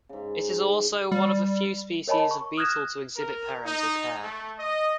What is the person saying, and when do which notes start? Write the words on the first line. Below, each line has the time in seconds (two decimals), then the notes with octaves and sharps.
It is also one of the few species of beetle to exhibit parental care.
0.09 G#2 C#3
1.11 G3
2.07 A#4 C#5 D#5 G#5 A5 B5
2.31 C#6
2.57 D#6 F6 F#6 G#6 A#6 E7
3.15 A#4
3.65 D#4
4.22 A3
4.59 D#5